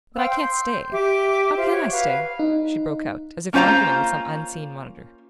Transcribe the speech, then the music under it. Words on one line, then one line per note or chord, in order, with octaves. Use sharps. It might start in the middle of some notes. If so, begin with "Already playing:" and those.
"But I can't stay.--How CAN I stay?" she broke out, as if arguing with some unseen monitor.
C5 F5 G5 E6
C6 G6
G4 E5 D6
F4 G4 C5 E5
F#4 C#5
B4 F5
D#4
A#3 C#4 F4 C5 F5 A#5